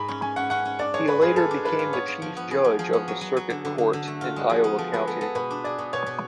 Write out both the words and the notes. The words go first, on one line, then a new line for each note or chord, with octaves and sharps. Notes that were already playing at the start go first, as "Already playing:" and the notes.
He later became the chief judge of the circuit court in Iowa County.
Already playing: G#2 G#3 B5
C#4
C#4 G#5
C#4 F#5
C#4 F#5
C#4
D4 D5
G#3 C#5
G#3 B4
F4 G#4
F4 A4
D4
F4 B4
F4
B3 C#5
B3
F3
B3
B3 G#4
F3
F3 G#4
B3
F#3
F#3
F#3
D3
D3
D3
D3
A3
F4 F#4
G#3 F#4
F3 G#4
B3
F3 A4
G#3 B4
B3 A4
B3 A4
B2 B4
D4
G#4 D5
B2
B2 C#5
B2